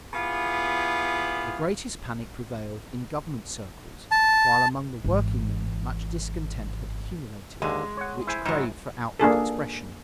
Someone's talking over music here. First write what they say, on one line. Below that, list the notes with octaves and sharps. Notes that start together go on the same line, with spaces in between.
The greatest panic prevailed in government circles, while among the workingmen much discontent had accumulated, which craved for outward expression.
B3 E4 F4 G4 G#4
A5
G#1 E3
D#2 D3 G#3
C#5 F#5
E4 C5 G#5
G#2 F#3
A#3 D4 G#4 A4